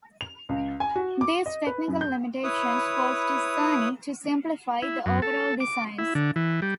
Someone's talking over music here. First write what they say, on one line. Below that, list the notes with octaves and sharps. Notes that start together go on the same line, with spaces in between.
These technical limitations forced Cerny to simplify the overall designs.
F7
C#2
G#5
F#4
D6
D#5
B4
F#2
G6
E4 B4 C#5 D#6
E4
F#2
A4
D6
E4
D3
E3
G3